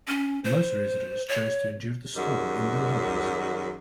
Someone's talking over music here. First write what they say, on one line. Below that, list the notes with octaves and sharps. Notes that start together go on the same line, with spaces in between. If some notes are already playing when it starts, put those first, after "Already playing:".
Most residents chose to endure the storm in their homes.
C#4
C5
C#5
F#2 D#3 G3 G#3 F#4